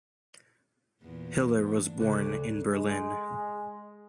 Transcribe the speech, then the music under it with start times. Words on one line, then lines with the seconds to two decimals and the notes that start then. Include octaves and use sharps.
Hiller was born in Berlin.
1.03 E2 A#2
1.65 A3 D4
2.00 D2 C#3 A3 F#6
2.69 G#3